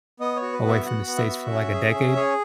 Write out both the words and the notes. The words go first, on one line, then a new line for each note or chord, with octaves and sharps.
away from the States for like a decade.
B3 D#5
C#5
F#4
B4
B3
E5
F#4 F#5
B3
E5
F#4
C#4
G#4
C#4
G#4 C#5